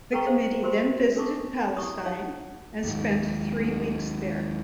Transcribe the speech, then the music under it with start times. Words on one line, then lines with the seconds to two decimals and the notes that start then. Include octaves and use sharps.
The Committee then visited Palestine and spent three weeks there.
0.13 A4 B4 G5 A#5 C6 C#6
0.25 G#4 C5 F5
0.63 F#4 G4 A#4 C5 C6
1.16 D4 A4 A#4 A5 C#6 D6
1.77 E4 G4 C#6 D#6
2.05 D#4 C#5 F5 F#5 A5
2.84 D#2 G#2